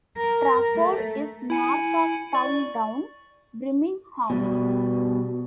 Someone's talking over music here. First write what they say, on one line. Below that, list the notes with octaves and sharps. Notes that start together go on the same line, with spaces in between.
Trafford is north of downtown Birmingham.
A#4
A3
E4 G#5 C#7
D5 C#6
B2 G3